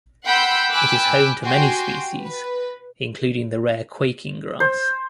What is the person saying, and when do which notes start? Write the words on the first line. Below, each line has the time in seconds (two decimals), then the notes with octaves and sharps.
It is home to many species, including the rare quaking grass.
0.25 F#5 G5 B5 C6 E6 G6
0.70 G5 G#5 B5 D6 E6 F#6
1.44 F#4 G4 G5 G#5 C6
2.22 B4
4.60 C5